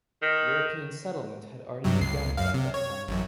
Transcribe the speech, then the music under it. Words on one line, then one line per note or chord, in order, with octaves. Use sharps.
European settlement had already begun by that time.
D#3
G2 C3 F#3
C#2 C7
F#2 F5
C3
C#5
A1 F#2